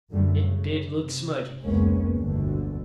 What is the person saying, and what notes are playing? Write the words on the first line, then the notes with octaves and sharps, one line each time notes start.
It did look smudgy.
F#2 D3 G3 A3
C#3
C3
F1 C#2 G#3 A#3 B3 C#4
G1 D2 B2 D3